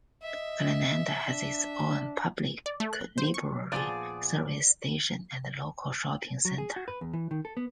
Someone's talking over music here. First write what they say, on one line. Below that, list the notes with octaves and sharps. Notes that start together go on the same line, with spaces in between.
Glenanda has its own public library, service station and local shopping centre.
D#5 E5
D4
D5
A3
F#6
C5
C#6
A#2 F3 B3 E4 G#4 D5
F#3
G#4
F#4
B4
E2
E3
D#3
A4
B3